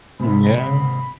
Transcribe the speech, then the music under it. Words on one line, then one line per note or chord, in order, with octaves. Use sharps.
Mm, yeah.
G#2 C3 B5